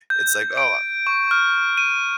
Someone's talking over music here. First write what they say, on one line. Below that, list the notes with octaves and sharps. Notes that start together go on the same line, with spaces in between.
it's like, "Oh"
G6
D7
C#6
F6
D#7